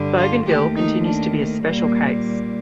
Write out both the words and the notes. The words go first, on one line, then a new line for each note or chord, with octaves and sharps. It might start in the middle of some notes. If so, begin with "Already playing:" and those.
Bougainville continues to be a special case.
Already playing: G2 D3 G3
F4
D#2 D#3 A3 G4
D#4
D4
A#2 G3 A#3